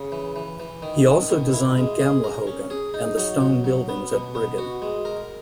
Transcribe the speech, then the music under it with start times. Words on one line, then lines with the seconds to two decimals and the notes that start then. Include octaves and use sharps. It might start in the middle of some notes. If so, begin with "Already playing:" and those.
He also designed Gamlehaugen, and the stone buildings at Bryggen.
Already playing: C#3
0.12 E3
0.36 E3
0.60 E3
0.82 D#3
1.06 D#3
1.30 B2
1.53 E4
1.77 G#3
2.00 G#4
2.24 A#4
2.47 C#4
2.70 G#4
2.94 D#4
3.17 F#3
3.41 F#3
3.64 F#3
3.89 B3
4.12 B2
4.35 B3
4.58 F#4
4.82 G#3
5.05 A#4